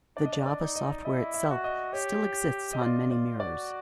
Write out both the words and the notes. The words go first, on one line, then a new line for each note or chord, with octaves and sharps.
The Java software itself still exists on many mirrors.
D4 D5
D#5
D5
D5
D#4
D#5
E4 D#5
E5
F#4
D#5
G4 C#5
D#5
F4 D5
F4 D5
F#4 D5